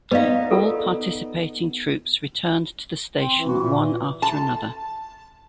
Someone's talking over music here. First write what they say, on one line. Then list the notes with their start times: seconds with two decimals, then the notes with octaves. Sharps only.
All participating troops returned to the station one after another.
0.11 B3 D#4 B4 D5 F5
0.51 F4 A4 A#4
3.19 C4
3.36 E3
3.48 F#4
3.60 A#2
4.22 A5